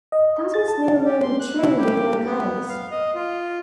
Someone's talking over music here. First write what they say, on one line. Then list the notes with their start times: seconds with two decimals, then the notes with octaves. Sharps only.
That is no longer true in the real case.
0.12 D#5
0.54 A6
0.68 A5
1.05 G4
1.22 C6
1.39 F#6
1.57 E4
1.79 G4
2.25 B3
2.69 F5
2.91 D#5
3.15 F4